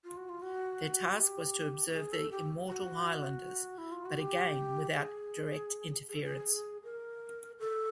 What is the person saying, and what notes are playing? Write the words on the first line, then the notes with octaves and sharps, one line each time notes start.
Their task was to observe the immortal "Highlanders", but again without direct interference.
F4
F#4
F4
F#4
G4
G#4
A4
G4
F#4
E4
F4
F#4
G4
G#4
G#4
A4
G#4
A#4
A4